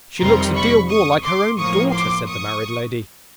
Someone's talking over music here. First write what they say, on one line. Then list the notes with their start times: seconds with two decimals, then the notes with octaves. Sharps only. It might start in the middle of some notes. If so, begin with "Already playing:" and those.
'She looks a deal more like her own daughter,' said the married lady.
0.19 F2 C3 D#3 G3 A#5 C6
0.54 B5 C#6
0.88 C#6 D#6
1.23 C6 D6
1.58 A2 F3 A#3 C#6 D#6
1.92 C6 D6
2.27 C#6 D#6